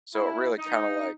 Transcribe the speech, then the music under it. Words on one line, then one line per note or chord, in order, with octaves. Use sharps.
So it really kind of like,
E4
D#4